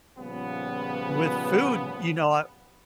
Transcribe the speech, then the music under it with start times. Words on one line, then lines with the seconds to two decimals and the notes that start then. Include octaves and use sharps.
With food, you know I
0.19 A#2 C#3 F3 G3 B3